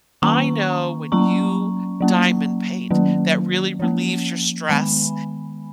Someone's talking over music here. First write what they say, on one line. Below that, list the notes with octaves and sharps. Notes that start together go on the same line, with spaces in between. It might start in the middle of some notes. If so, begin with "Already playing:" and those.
"I know when you diamond paint that really relieves your stress
D#3 A#3 C#4 A#5 C#6
F#3 A#3 C#4 A#5 C#6
F#3 A#3 C#4
D#3 F#3 A#3 C#4
F3 A#3 C#4
D#3 G#3 B3 G#5 B5